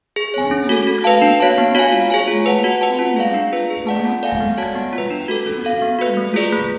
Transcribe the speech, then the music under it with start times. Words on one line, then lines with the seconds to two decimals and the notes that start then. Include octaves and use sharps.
No migrant-receiving state in Western Europe or North America has ratified the Convention.
0.16 G#4
0.34 C#5 G#5
0.51 C#4
0.69 F#4 A4
0.87 F#4
1.04 B4 F5 A5
1.22 D4
1.40 F#4 C#5 F5 A5
1.58 B3
1.75 F#4 C#5 F5 G#5
1.93 F4
2.10 G#4 C#5 G#5
2.28 F4
2.46 B4 F#5 A5
2.64 F#4
2.81 B4 F#5 A5
2.99 F4
3.16 G#4 D5 F5
3.34 D4
3.52 F4 B4
3.70 G#4
3.87 D5 F#5 A5
4.05 F4
4.23 A4 D5 F5 G#5
4.40 B3
4.58 F#4 C#5 F#5 A5
4.76 B3
4.93 F4
4.98 B4
5.10 D4
5.28 F#4 A4
5.46 C#4
5.64 F#4 A4 F5
5.82 B3
5.99 F#4 B4
6.17 A3
6.34 F4 G#4 B4 D5
6.52 A3